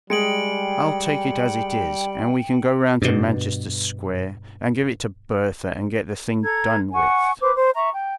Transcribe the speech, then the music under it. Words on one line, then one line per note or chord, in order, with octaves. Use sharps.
I'll take it as it is, and we can go round to Manchester Square and give it to Bertha, and get the thing done with.
G3 G#3 G#4 G5 C#7 D7 F#7
G2 B2
A4 A#5 G#6
F#5 G#5 C#6
B4 C5 D6
C5
E5 A#5 C#6
G5